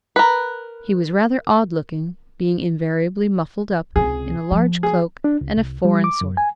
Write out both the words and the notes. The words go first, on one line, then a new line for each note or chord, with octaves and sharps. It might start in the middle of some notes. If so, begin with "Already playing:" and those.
He was rather odd looking, being invariably muffled up in a large cloak and a foreign sort of hat.
A#4 B4
C#2 C3 G#4
F3
G#4
D4
C#2
C2
G3
D6
F#2
G#5